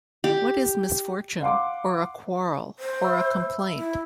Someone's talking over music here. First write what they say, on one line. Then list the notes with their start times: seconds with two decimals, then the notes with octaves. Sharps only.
What is misfortune, or a quarrel, or a complaint?
0.24 G4
1.41 F5 F#5 C6 D6
2.79 C5
3.03 E5 B5 E6
3.78 E4